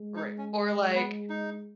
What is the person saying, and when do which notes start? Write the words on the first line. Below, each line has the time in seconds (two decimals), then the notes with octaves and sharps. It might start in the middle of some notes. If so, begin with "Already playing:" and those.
Right. Or, like,
Already playing: G#3
0.16 D#4
0.38 C#4
0.95 B3
1.30 D#4